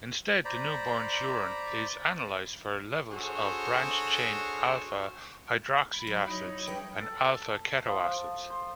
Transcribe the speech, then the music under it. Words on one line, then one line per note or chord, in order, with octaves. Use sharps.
Instead, the newborn's urine is analyzed for levels of branched-chain alpha-hydroxyacids and alpha-ketoacids.
C5 D5 A#5 B5
D4 F#4 G#4 A4 C5 C#5
B5
F#3
D#4 E4 C#5
G3 D4 B4 G5
A4
F3
C5